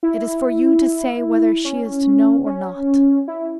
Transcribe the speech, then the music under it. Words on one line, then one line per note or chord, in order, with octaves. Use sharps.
It is for you to say whether she is to know or not.
E4
C#4
C#4
E4